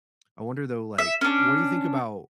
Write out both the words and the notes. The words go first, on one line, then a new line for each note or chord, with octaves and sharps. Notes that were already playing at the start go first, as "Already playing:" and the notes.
I wonder, though, like, what do you think about
E5
C#4 D4